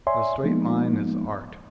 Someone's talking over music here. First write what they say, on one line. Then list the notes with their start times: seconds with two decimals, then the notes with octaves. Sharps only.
The straight line is Art.
0.07 C#5 D5 E5 G#5 C6
0.44 F3 G#3 A#3 B3 D#4